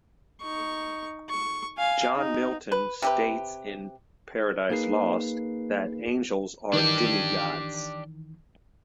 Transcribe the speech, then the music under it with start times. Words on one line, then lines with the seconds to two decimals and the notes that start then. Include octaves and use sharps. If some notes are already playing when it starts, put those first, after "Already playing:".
John Milton states in "Paradise Lost" that angels are demigods.
0.41 D#4 C#6
1.30 C#6
1.78 F5 G#5
2.16 D#4
2.72 B4
3.02 C3 G4 B4
4.70 A#3 D#4 G#4 B4 C7
6.73 D#3 E3 D4 G4